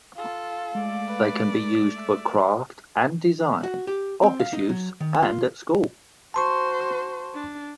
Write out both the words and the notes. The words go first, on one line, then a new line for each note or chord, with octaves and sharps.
They can be used for craft and design, office use and at school.
F4 A4 F5
G#3 A3 D5
B4
E5
F#4
G4
C4
F5
D#4
F#3
D#3
F4
F#4 C5 A5 C6 C#6
D4